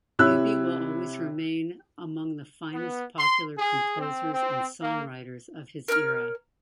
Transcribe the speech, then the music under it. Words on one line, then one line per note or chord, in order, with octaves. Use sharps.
Eubie will always remain among the finest popular composers and songwriters of his era.
C3 E4 C#5 E6 F#6
B3
C6
G#4
C4
C4
A#3
A#4 C#5 E5 F6